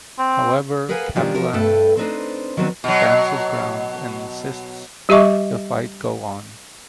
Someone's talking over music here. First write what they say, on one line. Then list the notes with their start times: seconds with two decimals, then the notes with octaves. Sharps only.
However Kabilan stands his ground and insists the fight go on.
0.18 C4
0.89 G#4 A#4 B4 F5 F#5 G#5
1.15 D#3 F3 G3 G#3 D4 F4
1.34 F3 F#4 A#4
1.53 G2 A3 A4 B4 G5
1.97 C4 D4 D#4 B4 C5
2.57 D#3 F#3 G3 B3 C4 D4
2.84 B2 F#3
5.09 G3 G4 D#5 E5 C#6 D6